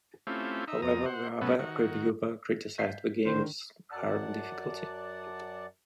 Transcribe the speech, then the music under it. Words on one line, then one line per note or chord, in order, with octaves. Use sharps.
However, the other reviewer criticised the game's hard difficulty.
A3 C4 C#4 E4 F4 G4
D#4 E5
F2 A#5 D#6
C5 F#5
B2 F#3 A3 B3 C#4
D#3 F#4
G6 B6 C7
D3 D#3 C5
F#2 D5 F#5 A5